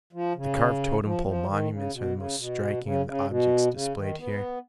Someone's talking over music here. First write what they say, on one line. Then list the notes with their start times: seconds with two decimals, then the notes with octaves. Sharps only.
The carved totem-pole monuments are the most striking of the objects displayed here.
0.13 F3
0.36 C#3
1.03 F3
1.26 F3
1.48 D#3
1.71 C#3
1.93 B2
2.15 C#3
2.38 B2
2.83 C#3
3.06 C#3
3.28 B2
3.73 C#3
3.95 D#3
4.18 B3